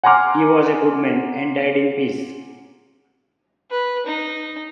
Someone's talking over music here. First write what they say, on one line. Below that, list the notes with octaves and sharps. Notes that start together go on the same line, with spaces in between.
He was a good man, and died in peace.
F#5 G#5 A#5 C6 D6 F6
B4
D#4